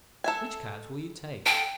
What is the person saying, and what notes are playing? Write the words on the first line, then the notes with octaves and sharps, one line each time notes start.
Which cards will you take?
A4 E5 G#5
A4 G5